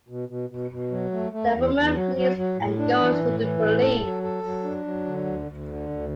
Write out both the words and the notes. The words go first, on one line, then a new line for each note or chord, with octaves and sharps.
The woman flees and goes to the police.
B2
B2
B2
B2
F#3
A3
A3
E2
E2
F#3
F#3
F#3
A2
D4
E3
A2
E3
A2
A4
F#3
A4
F#3
D4
F#3
D3
D2
D2
D3
D2